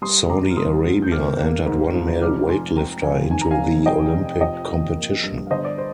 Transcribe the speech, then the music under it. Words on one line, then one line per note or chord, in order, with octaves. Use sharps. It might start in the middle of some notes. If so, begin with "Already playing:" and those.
Saudi Arabia entered one male weightlifter into the Olympic competition.
G3 C6 D#6
D3 A#5 D6
F6
G3 C6 D#6
D3
G6
A#3 D6 F6
A#3
G#2
F3
F1 D6 F6
F1 G#5 C6
F1 G5 A#5
F1 F5 G#5
D#3 G#5
A#5
F5 G#5
F1
F1 D#5 G5
F1
F3 D#5 G5
F3
A#3
G2
F5
G1 C5 D#5
D5
C5